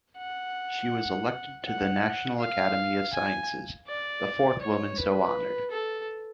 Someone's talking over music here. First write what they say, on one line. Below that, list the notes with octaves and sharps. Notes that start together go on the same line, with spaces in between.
She was elected to the National Academy of Sciences, the fourth woman so honored.
F#5
F#5
F5
G#5
D5
C#5
B4
A4